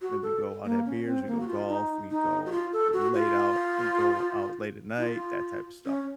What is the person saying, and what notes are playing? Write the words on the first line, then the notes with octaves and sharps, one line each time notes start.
then we go out, have beers, we go golf, we go late out and go out late at night, that type of stuff.
F#4
A4
A#3
C#4
C4
A#3
F#4
F4
D#4
D#4
F#4
F4
A4
F#4
F4
D#4
F4
C#4